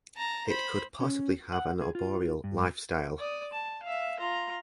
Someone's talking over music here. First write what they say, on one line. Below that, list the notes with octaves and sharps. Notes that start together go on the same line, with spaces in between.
It could possibly have an arboreal lifestyle.
A5 A#5
C5 B5
C#4
F#5
G#4
F4
G2
D5 D#6
A5
E5 F5
F4 A#5